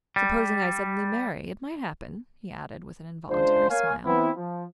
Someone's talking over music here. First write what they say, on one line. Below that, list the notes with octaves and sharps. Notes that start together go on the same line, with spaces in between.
"Supposing I suddenly marry... it might happen," he added with an involuntary smile.
G3
C#2 G#3 D4 F4 C5
A#3 C#5 F5 G#5
E3 B3 C4 E4
F3